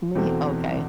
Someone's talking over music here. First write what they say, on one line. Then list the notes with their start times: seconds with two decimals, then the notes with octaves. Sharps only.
Me Okay.
0.15 E2 B2 A3 C4